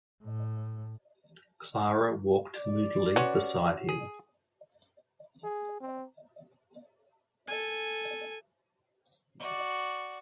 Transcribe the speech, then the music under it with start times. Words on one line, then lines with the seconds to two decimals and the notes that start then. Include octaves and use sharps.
Clara walked moodily beside him.
0.24 A2
2.56 D5
3.16 C#4 F#4 B4
3.89 G#4
5.44 G#4
5.80 C4
7.48 A4 G#5
9.40 F#4 D5